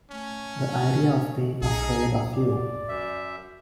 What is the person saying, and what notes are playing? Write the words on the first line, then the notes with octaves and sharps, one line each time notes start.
The idea of being afraid of you!
A3 C#4
B1 D#4 G#4 A4
D5
F#2 E5